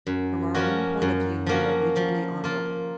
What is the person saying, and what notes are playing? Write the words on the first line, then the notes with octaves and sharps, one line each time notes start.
From our own point of view we are rigidly honourable.
F#2
F3 A#3 C#4 F#4
F#2
F3 A#3 C#4 F#4
F3
A#3 F4